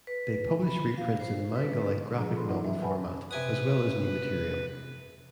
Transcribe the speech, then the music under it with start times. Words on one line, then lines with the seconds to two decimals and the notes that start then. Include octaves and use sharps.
They publish reprints in manga-like graphic novel format, as well as new material.
0.07 B4
0.62 B5
0.97 F5
1.20 C5
1.56 B4
2.18 F3 D4 G#4 A#5
2.34 F4 A4 B5 C6
2.48 E3 F#3 D#4 F#5
2.64 E5
2.82 B4 F#5 G#5 A5 B5
3.31 C3 B4 G#5 D#6